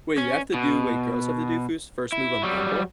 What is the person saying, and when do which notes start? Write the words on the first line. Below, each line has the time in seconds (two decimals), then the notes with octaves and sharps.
Wait, you have to do Wait, girls have to do fus first move on Bumble?
0.18 C#4
0.54 B2
2.12 E4
2.43 F#3 G3